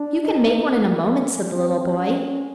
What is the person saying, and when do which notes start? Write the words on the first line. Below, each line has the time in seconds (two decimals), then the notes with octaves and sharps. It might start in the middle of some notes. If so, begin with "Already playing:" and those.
"You can make one in a moment," said the little boy.
Already playing: D4
0.24 D#4
0.67 A#3
1.55 C4
1.98 C#4